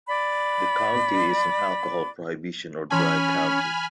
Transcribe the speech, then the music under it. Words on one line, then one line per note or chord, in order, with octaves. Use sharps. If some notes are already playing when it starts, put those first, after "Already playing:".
The county is an alcohol prohibition or dry county.
D5 B5
E3 C#4 G#5 A5 B5 F6